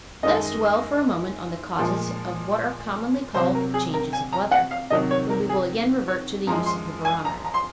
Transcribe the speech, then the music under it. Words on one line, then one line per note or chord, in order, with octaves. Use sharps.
Let us dwell for a moment on the causes of what are commonly called "changes of weather," when we will again revert to the use of the barometer.
F#2 D#3 G#3 D#5
A#2 F3 G#3
C3 F#3 C5
A#4
G#4
A#4
G#5
A#5
F#5
F5
C3 D#3 F#3 D#5
C#5
A#4
G#4
C#5
F#2 F3 G#3 A#5
C6
G#5
A#5
A#5
C6